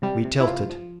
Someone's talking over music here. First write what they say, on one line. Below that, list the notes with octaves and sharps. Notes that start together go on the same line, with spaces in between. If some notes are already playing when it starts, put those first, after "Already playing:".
We tilted.
C3 G3
C3
E4
F3 F4
F3